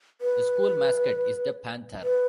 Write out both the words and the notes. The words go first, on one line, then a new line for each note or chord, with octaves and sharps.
The school mascot is the panther.
B4
B4